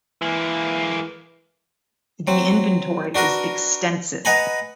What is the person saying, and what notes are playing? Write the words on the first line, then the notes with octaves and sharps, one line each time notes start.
The inventory is extensive.
E3 G#3 A#3
F#3 C4
D4 F#4 A#4 B4
B4 D#5 F#5 G#5 A#5 B5